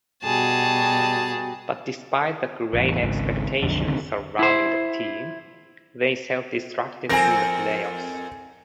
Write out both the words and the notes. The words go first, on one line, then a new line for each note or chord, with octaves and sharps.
But despite the great expectations surrounding the team, they self-destructed in the playoffs.
B2 G3 F#4 G#4 A5
A1 E2
G#1 C#2 G#2
B1 F2 D3
C#2 D3 D#3 C4
E4 C5
F2 C4 A#4 G#5 A#6